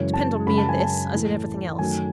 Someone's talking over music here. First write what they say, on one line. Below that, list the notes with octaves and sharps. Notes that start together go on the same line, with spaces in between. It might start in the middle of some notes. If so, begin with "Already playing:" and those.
Depend on me in this, as in everything else.
Already playing: F#2 C#3 E3 G#3 C#5
A5
F#2 C#3 G#3 B5
A5
G#5
A5
A2 E3 A3
F#2 D#3 F#3 A3 G#5